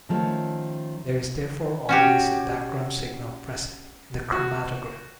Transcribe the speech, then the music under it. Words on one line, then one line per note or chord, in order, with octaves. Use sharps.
There is therefore always a background signal present in the chromatogram.
D#3 F3 A3 C#4
C#4 F#4 G4
F#4